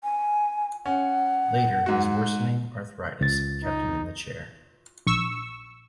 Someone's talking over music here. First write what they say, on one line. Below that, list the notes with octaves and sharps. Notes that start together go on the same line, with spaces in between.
Later, his worsening arthritis kept him in the chair.
G#5
C#4 F#5
G#2 F#4
C#2 A6
D#4
A#1 C#6 E6